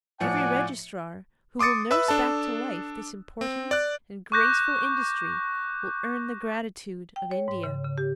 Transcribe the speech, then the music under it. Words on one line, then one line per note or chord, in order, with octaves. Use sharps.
Every registrar who will nurse back to life this important and graceful industry will earn the gratitude of India.
A2 F3 D5 F#5 G#5 C#7
C6 D6 D#6 A6 C#7
B4 E5 B5 E6 F#6
D4 A4 A5
C4
D5 F#6
C#6 D6 F#6 G6 A#6
G5
C#5
G#2
C#3
C#3
G4